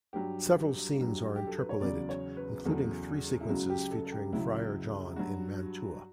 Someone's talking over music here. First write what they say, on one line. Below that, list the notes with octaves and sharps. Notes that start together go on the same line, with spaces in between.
Several scenes are interpolated, including three sequences featuring Friar John in Mantua.
G2 F#3 G4
G2 F#3
G4
A4
B4
C#5
E2 C#3 F#3 D5
C#5
B4
E2 C#3 F#3 A4
E4
C#2 C#3 F#3 F#4
G4
A4
A4
G4
C#2 C#3 F#3 E4
G2 F#3 F#4